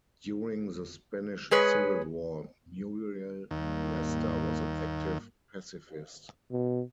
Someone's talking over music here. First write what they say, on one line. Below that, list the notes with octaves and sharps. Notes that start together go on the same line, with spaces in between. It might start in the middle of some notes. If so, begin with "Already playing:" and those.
During the Spanish Civil War Muriel Lester was an active pacifist.
G#3 G#4 B4 C#5
D#2 G#2 G3 A#3
B2